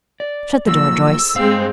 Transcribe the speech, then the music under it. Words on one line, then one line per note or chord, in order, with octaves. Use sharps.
"Shut the door, Joyce."
D5
G#2 F3 F#3 A#3 A4 E6
G2 G#3 C4 F5